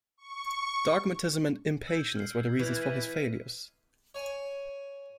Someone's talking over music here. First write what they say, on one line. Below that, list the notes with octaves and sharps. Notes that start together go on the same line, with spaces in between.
Dogmatism and impatience were the reasons for his failures.
C#6
E6 G6 G#6
F6 C7
E3 G#6
B6 D#7
C#5 G#5